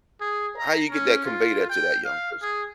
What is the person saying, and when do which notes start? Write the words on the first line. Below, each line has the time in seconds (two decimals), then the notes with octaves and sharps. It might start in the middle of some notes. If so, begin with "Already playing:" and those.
how do you get that convey that to that young person?
0.21 G#4
0.58 A#5
0.90 C#4
1.25 F4
1.69 G5
2.05 F5
2.43 G#4